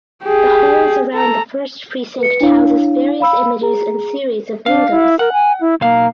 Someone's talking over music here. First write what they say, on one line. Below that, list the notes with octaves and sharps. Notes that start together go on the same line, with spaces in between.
The halls around the first precinct houses various images and series of Lingams.
G4 G#4
A4 A#5
B4 C#7
D4 E4 C#5 F5
F5 B5 E6
G#4 A#5
D4 F5
E4
A#4 F#5
G#5
E4
B1 A#3 F5